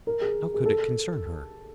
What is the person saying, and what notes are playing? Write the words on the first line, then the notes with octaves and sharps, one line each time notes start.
How could it concern her?
A#4
G#4
G#4
A4